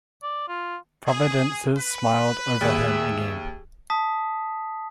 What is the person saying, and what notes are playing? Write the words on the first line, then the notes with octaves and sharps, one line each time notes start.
Providences smiled over him again.
D5
F4
G#4
B4
D#2 G#4 E5
A5 D#6 B6